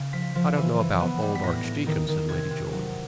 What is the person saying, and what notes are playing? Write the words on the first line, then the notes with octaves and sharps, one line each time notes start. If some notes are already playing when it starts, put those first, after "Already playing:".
"I don't know about old archdeacon," said Lady Julia.
Already playing: C#3
F3 B6
F3
E3
E3
B3
G3
B6
A2 A#6
A2
D#3
D#3
C3 G#6
C3
F#3